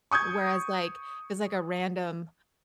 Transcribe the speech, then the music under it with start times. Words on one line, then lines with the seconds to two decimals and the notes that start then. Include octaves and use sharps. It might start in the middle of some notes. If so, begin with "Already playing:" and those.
Whereas like, it's like a random
0.11 C#6 D#6 G6 G#6